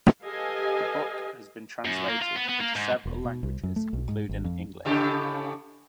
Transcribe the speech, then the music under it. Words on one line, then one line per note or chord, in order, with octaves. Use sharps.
The book has been translated into several languages including English.
G4 A4 B4 D#5 F5 G#5
F#2
A#3
F4
B3
B3
A#3
G#2
E1
B2
C2
F#2
A3
B1
G#2
G#1
F2
A2 C#3 G4